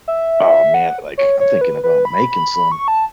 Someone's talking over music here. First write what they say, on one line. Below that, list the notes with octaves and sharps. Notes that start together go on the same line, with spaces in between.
Oh, man, like, I'm thinking about making some.
E5
F#5
C#5
C#5
B4
B4
B5
C#6
A5